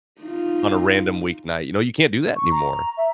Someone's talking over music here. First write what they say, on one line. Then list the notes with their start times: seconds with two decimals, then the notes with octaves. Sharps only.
on a random weeknight, you know, you can't do that anymore.
0.21 D#4 F4
2.36 C#6
2.51 A#5
2.97 E5